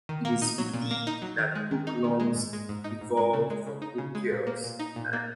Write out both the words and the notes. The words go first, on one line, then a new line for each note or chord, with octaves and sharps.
It is believed that book lungs evolved from book gills.
D#3
A#3
D#4
F#3
A#2
A#3
D#4
F#3
D#3
G#3
D#3
D#4
D#3
G#3
G#2
G#3
G#2
D#4
G#2
G#3
C#3
G#3
C#3
D#4
C#3
G#3
A#2
A#3
A#2
D#4
A#2
A#3